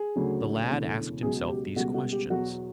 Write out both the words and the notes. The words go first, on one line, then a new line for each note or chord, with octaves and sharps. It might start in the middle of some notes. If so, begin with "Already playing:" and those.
The lad asked himself these questions.
Already playing: G#4
D2 C#3 F#3
E1 D2 C#3 E3 A3
C#2 B2 F#3 G#4
G4
C#2 B2 G3 B3 F#4
F#4
G4
E2 B2 F#3 F#4